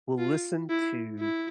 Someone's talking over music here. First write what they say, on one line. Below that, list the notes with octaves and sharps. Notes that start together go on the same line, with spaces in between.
will listen to
F4
E4
E4